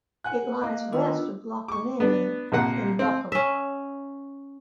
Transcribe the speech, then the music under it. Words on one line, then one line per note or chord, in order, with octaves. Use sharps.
It lies west of Loch Linnhe in Lochaber.
F#5 G#5 F#6
A#3 D#5 D6
D#3 B3 D4 F4 E6
C#6 D6
B3 D4
A#1 C3 A#3 F#5
C4 F5
C#4 E5